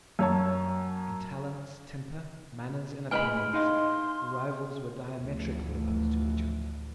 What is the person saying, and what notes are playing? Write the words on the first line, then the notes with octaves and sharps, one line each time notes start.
In talents, temper, manners and opinions, the rivals were diametrically opposed to each other.
F#2 C#5 A5
A2 E3 G#3 G#5 B5 F6 G7
D#4 D#5 F5 C6
A1 D2 E3 F3